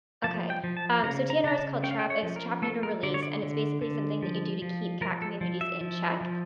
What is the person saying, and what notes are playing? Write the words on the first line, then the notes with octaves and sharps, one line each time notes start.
Okay. Um, so, TNR is called trap it's trap, neuter, release, and it's basically something that you do to keep cat communities in check.
F3 A5
G5
F3
A5
C#3 A#5
A#5
C#3 A#5
A5
C#4 G5
F5
G5
C#5
F3
A#4
A3 A4
A#4
D3 D5
C#5
D5
D3
D3
F3
F3
F3 A#4
A4
F3
E5
F3
F3